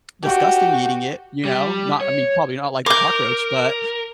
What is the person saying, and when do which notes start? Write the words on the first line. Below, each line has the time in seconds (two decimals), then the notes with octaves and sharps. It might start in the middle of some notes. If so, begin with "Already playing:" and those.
disgusting eating it, you know? Not I mean, probably not like the cockroach, but
0.24 F#4 G4
1.45 G3
2.01 C#5
2.86 A#4 D6 G6